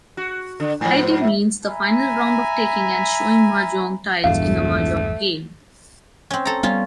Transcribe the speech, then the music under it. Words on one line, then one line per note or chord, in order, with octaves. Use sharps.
Haidi means the final round of taking and showing mahjong tiles in a mahjong game.
F#4
D3
G#2 F3 G#5
C5
E5
E5 G#5 A#5 B5
E1 A#1 E2 G2 A3 F5
C4 C#4
A4 A#5
G3 B3 C#4 F4